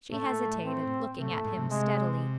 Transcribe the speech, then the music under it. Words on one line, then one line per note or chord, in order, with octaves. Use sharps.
She hesitated, looking at him steadily.
A2 A3
C4
C3 A3
A2
G#2
C3
C3 G#3